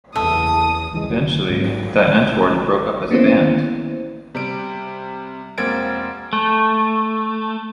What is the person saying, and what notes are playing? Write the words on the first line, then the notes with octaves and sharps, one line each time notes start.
Eventually, Die Antwort broke up as a band.
F#1 E2 A4 E5 D#6
C#2 E3 F3 G#3
F#1 F#3
G#2 D#3 F#3 A#3
A#3 B3 C#4 E4 C5
C3 G3 D7
E1 A#3 C4 G#6 A6 D7
A3